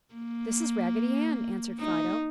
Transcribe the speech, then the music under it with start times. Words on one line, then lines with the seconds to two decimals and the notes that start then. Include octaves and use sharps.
"This is Raggedy Ann," answered Fido.
0.15 A#3
1.79 D#4